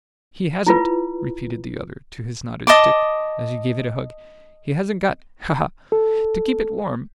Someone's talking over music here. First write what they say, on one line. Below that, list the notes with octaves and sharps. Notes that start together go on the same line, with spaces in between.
'He hasn't,' repeated the other to his knotted stick, as he gave it a hug; 'he hasn't got--ha!--ha!--to keep it warm!
E4 F4 B4
D#5 A5 C6 D6
A4